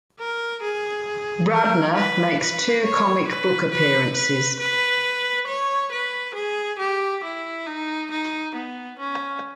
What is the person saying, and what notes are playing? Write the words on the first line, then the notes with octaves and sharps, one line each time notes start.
Radner makes two comic book appearances.
A#4
G#4
A#4
B4
B4
C#5
B4
B4
B4
B4
C#5
B4
G#4
G4
E4
D#4
D#4
B3
C#4